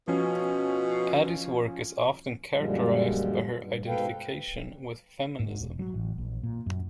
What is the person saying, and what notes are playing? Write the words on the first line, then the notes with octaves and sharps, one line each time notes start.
Attie's work is often characterized by her identification with feminism.
B2 F3 C#4
F#2 A#2 D3 F3 G3 G#3
G2
G#2 B2 A4 B4 F5 G5
G#2
E1
F#3
A1
A#1
A#2
F#2